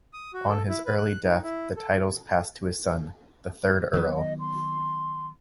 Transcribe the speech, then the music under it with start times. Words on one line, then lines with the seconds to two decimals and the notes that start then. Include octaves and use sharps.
On his early death the titles passed to his son, the third Earl.
0.13 D#6
0.34 F#4
0.49 A4
0.69 E4
0.85 B4
0.98 F#6
1.24 D#4
1.43 E4
1.76 A4
3.93 D#3 F#3 B3 B4
4.16 D#5
4.40 C6